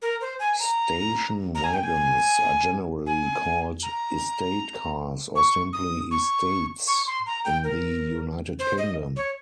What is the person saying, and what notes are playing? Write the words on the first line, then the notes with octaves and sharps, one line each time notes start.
Station wagons are generally called "estate cars" or simply "estates" in the United Kingdom.
A#4
C5
G#5
A#5
A#5
G#5
G5
G#5
G#5
A#5
C#6
D#6
C#6
C#6
C6
A#5
G5
A#4
C5
D#5
C#5